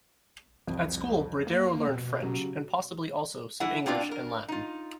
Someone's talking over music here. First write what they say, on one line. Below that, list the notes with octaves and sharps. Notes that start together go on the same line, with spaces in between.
At school Bredero learned French and possibly also some English and Latin.
C2 F2
A#3
B2
C#3 F#3 G4
E3 E4 F#5
B2 A#3 C4 D4 F4 D5
A#4
D#4 F4